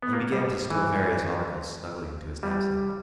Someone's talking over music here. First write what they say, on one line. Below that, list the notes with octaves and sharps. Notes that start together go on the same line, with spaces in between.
He began to stow various articles snugly into his knapsack.
B3
A#3
G3
E3
G3